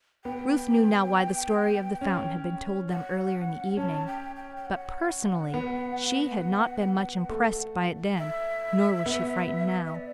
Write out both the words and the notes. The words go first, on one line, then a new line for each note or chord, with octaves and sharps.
Ruth knew now why the story of the fountain had been told them earlier in the evening, but personally she had not been much impressed by it then, nor was she frightened now.
B3 G5
C#4
F#5
C#4 A5
G5
G5
G5
F#5
B3
A3
E5
B3
E5
D5